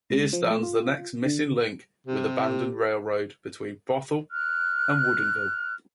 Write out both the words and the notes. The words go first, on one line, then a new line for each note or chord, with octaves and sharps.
Here stands the next missing link with abandoned railroad between Bothell and Woodinville.
C#2
F3
A3
F4
D3
C3 G4
F6 F#6